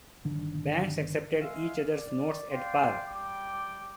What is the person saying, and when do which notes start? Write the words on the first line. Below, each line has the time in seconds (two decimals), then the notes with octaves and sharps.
Banks accepted each other's notes at par.
0.24 G1 D3 D#3 D4
1.40 G#3 E5 F5
1.91 D5
2.49 D5 F5 G5 C6
3.08 G3 G5 D6